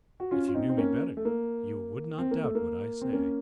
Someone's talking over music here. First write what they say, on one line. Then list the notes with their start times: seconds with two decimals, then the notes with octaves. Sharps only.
If you knew me better, you would not doubt what I say.
0.20 F#4
0.31 C#4 F4
0.48 F4
0.54 C4 D#4
0.70 C4
0.78 A#3 C#4
1.17 A3
1.25 A#3
2.19 C4
2.31 A#3
2.44 A3
2.55 A#3
3.02 C4
3.13 A#3 C#4